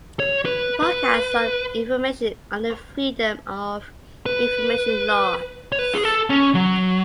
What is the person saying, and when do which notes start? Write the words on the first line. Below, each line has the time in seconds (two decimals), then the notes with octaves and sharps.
The podcast sought information under Freedom of Information laws.
0.20 C#5
0.45 B4
0.83 B4
4.26 B4
5.72 C#5
5.79 B4
5.95 G#4
6.04 A4
6.30 C#4
6.55 F#3